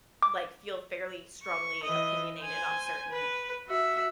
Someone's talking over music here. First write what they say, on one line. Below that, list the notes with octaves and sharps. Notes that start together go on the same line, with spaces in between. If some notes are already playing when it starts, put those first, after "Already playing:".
like, feel fairly strongly opinionated on certain
D6
C#6
E3 D#5
C5 G#5
B4
F#4 E5